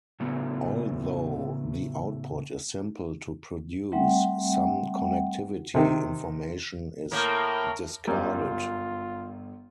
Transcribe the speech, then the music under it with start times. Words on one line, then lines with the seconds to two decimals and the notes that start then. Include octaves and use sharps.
Although the output is simple to produce, some connectivity information is discarded.
0.20 A2 C#3 F#3 A3 B3
3.92 G3 A3 C4 E5 F#5 G5
5.74 C3 D#3
7.12 A2 A#3 A#4
8.07 G1 F#2 G3 F4 A#4